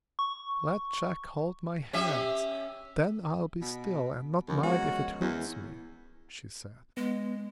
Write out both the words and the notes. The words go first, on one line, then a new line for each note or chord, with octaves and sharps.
'Let Jack hold my hands; then I'll be still, and not mind if it hurts me,' she said.
C#6
C#4 G4 E5
B2
D#2 F3 C#4 A#4
G#3 B3 F#4 C#5
E2
G#3 B3